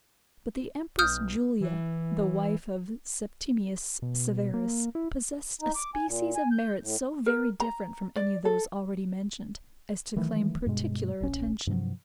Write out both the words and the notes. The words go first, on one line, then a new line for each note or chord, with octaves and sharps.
But the empress Julia the wife of Septimius Severus, possessed a species of merit so very different from any of those already mentioned, as to claim particular attention.
B1 D#6 F6 G6
E3
B2
A#3
E4
D#4
D6
G#5
A#2
G#5
G6
A2
A#4
A#5
D5
A4
D#3 E3 F#3 A3
G2 B2 G#3
D1 A#1 C#4
G2 C3 F3 F#3